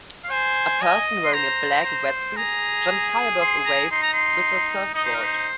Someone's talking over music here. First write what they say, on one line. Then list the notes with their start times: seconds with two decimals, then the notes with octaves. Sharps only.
A person wearing a black wetsuit jumps high above a wave with a surfboard.
0.23 F5
0.30 C5 G#5
0.82 D#5
1.25 C6
1.33 C5 A#5
1.84 C5
2.36 G#4 A#5
3.40 C6
3.66 A#5
3.91 D#4 C6
4.02 A#5
4.13 C6
4.94 D#4 D#5
5.04 C5
5.14 A#4
5.24 C5